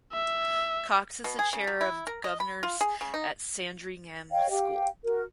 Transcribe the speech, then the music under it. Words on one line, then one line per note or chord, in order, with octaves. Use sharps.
Cox is the Chair of Governors at Sandringham School.
E5
B2
G#4
C#3
F#3
E4
A#4
D#5
B5
F4
G#4
C#3
D#4
C#5 D#5 F5 G5
G4 F5 G5
F#4 A#4